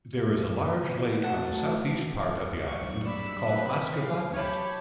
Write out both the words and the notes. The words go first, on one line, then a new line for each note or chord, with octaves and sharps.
There is a large lake on the southeast part of the island, called Askevatnet.
F#3 A3 F#5 A5
G2 F#3 G#3 D5 C#6
D5 B5 E6
C4 B4
F#3 G#4 F5
G4 C#5 A5 B5